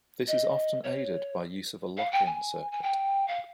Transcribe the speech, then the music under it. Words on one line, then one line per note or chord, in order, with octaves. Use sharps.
This is often aided by use of a lock-in circuit.
D#5
C#5
F5
G5
G#5
G#5
G5
F5